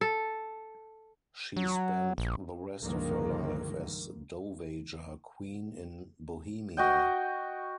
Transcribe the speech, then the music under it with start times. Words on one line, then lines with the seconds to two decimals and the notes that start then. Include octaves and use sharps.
She spent the rest of her life as Dowager Queen in Bohemia.
0.01 A4
1.57 F#3
2.18 A#1
2.82 C#2 G2 D3 D#3 F3 A#3
6.77 F#4 D#5 G5